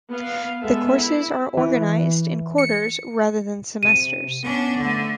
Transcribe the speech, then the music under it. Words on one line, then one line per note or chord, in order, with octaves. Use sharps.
The courses are organized in quarters rather than semesters.
B3 F5
G#3 B3 A4 E5
E4
E3
C#7
C3 D#7
B3 C#4 D4
D3 A3